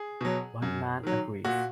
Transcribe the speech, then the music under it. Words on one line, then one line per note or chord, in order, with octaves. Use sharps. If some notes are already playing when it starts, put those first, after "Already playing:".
One man agrees.
Already playing: G#4
B2 F#3
F#2
D#3 F#3
A#2 F#4